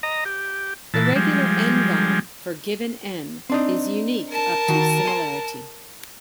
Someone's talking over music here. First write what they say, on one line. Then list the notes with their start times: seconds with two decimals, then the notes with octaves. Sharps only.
The regular "n"-gon, for given "n", is unique up to similarity.
0.03 D#5 A#5
0.25 G4
0.94 A#2 E3 A5
1.16 F3 G3 G#3
3.50 C4 D4 D#4
4.30 A#4 A5
4.68 D#3 F#4
5.05 G#5 C6